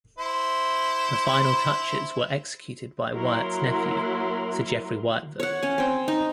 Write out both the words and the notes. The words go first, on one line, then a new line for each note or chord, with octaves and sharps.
The final touches were executed by Wyatt's nephew Sir Jeffry Wyatville.
E4 C5
F#3 A#3 E4 A#4 C6
C#5 F#5
C#4 G#5
C4 G5
D#4